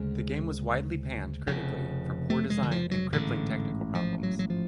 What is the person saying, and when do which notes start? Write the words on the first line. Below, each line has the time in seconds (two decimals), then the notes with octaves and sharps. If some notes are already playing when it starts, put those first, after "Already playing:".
The game was widely panned critically for poor design and crippling technical problems.
Already playing: D2 C#3 G#3
1.47 F1 F2 C#3
2.30 A3
2.50 G#3
2.63 D3
2.71 F3
2.91 F#3
3.12 A1 G#2 D3
3.95 F3
4.23 F#3
4.39 F#3
4.50 F3